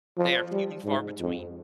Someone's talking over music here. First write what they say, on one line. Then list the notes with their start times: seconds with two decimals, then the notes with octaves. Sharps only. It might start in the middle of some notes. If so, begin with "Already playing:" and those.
they are few and far between.
0.18 F3
0.51 G3
0.85 G#2
1.20 F2